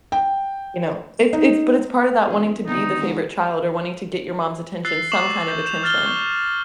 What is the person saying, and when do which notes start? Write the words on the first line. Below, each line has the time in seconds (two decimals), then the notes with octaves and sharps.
you know. It's it's but it's part of that wanting to be the favorite child or wanting to get your mom's attention, some kind of attention,
0.12 G5
1.33 D#4
2.28 E1 G#4
2.67 C2 D3 D#3 B3 D#4
3.00 G#2
4.85 E6 F#6 A6 C7
5.12 C#6 D6 C7 E7 F#7
5.48 G6
5.65 G6 E7 F7
5.84 F6 A6 G7
6.06 C#6 G6